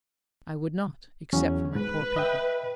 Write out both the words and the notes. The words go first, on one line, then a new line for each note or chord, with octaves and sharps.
"I would not--except for my poor people."
E2 F#3 C#4
G#2 B4
D#5 E5 G5